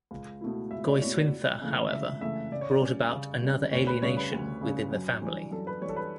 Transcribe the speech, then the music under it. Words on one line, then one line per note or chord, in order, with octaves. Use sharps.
Goiswintha, however, brought about another alienation within the family.
C#2
B2 A3 E4
C#2 E5
D5
B2 A3 E4 C#5
D5
C#2
C#3 E3 A3
C#2 E5
C#3 E3 A3 E5
C#3 D5
C#5
D5
G3 C#4
C#3
G3 C#4
D2 C#5
B4
C#3 G3 C#4 C#5
B4
D2
C#3 G3 C#4
F#2
E3 G3 D4
F#2 A4
B4
E3 G3 D4 C#5
A4
B4